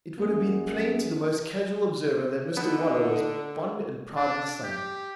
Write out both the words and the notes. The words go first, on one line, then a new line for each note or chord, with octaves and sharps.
It would have been plain to the most casual observer that Mr Waller was fond and proud of his son.
F#2 A#3 G#4
D3 B3 D#4
D4
G4